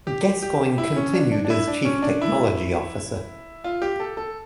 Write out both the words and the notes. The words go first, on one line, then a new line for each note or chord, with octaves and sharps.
Gascoyne continued as Chief Technology Officer.
G4
G4
E4
C#4
D4
D4
D4
E4
D4
C#4
D4
E4
F4
G4
A4
A4